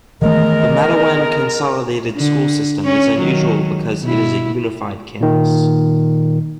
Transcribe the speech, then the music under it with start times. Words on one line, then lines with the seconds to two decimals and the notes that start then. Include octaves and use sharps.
The Mattawan Consolidated School system is unusual because it is a unified campus.
0.22 D#3 E3 G#3 A3 B3 A#4 D#5
2.17 D3
2.84 C#4 C#5
3.18 D#3 F#3
4.02 B2 E4
5.21 A#2 D#3